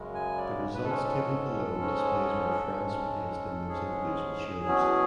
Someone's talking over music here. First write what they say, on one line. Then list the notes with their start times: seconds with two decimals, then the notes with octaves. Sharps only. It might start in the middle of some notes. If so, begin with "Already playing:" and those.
The results table below displays where France placed in those individual shows.
Already playing: F#2 C#3 G#3
0.14 G#5
0.37 D5
0.74 B4
0.84 G#2 G#3 C#4 A4
1.79 G#2 G#3 C#4
2.74 G#2 G#3 C#4
3.69 G#2 G#3 C#4 G#4
4.64 E2 B2 F#3 C#4